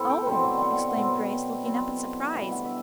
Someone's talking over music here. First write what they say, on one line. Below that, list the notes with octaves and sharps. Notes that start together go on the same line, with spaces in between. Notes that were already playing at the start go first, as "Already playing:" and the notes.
"Oh!" exclaimed Grace, looking up in surprise.
Already playing: B2 C4 E4 A4
G5
B2 F#3 C4 C5
D5
F#5 G5
F#5
B2 F#3 C4
B2 F#3 C4
B2 G3 D4 E5
F#5
E5